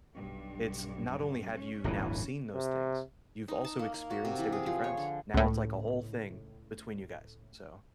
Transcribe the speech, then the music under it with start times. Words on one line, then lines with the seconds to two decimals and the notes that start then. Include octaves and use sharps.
it's not only have you now seen those things, you've also experienced it with your friends. Now, it's like a whole thing between you guys, so
0.14 B1 G2
1.53 C#4
1.84 D1 G1 E3
2.54 C3
3.48 D#4
3.64 A5
3.79 A#3
3.94 A#3
4.10 F#4
4.25 C3
4.39 E3
4.52 G#4
4.66 F3
4.84 C#5
4.97 D3
5.34 C#2 A2